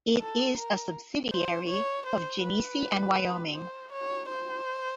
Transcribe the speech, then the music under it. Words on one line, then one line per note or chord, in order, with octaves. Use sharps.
It is a subsidiary of Genesee and Wyoming.
A4
A#4
C5
C#5
C5
B4
C5
C#5
C5